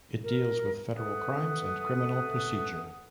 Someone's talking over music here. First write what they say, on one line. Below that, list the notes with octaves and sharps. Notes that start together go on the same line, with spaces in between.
It deals with federal crimes and criminal procedure.
A#4
A3 B4 F#5 D#6